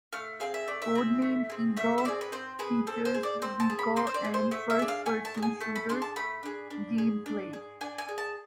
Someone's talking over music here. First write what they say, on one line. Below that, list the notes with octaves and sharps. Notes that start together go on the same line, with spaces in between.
"Codename Eagle" features vehicle and first-person shooter game play.
A3 F5
C4 G#4 F5
E5
A3 D5
E5
C4 G#4
A3
C4 G#4
A3 E5
E5
C4 G#4 D5
B4
C4 C5
G#4 B4
C4 A4
C5
G#4
D5
C4 C5
A5
G#4
B5
C4 C6
C5
D5
G#4
C5
A3 E5
E5
D4 G#4
F5
A3 G#5
A5
D4
G#4
G#5
A3 A5
B5
D4 G#4 C6
A5
A3 B5
D4 G#4
D4
G#4
D4
G#4
D4 G#5
G#5
G#4
A5